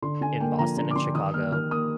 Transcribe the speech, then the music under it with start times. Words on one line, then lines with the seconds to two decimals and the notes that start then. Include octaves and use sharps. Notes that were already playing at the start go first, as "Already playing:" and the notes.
in Boston and Chicago,
0.02 D3 C6
0.21 D3 G#5
0.40 A#3 G5
0.59 F3 A#5
0.77 D3 A#5
0.91 D6
0.96 D3 C6
1.15 D#3 D#6
1.34 A#3 F6
1.52 D#3 F6
1.71 A#3 D#6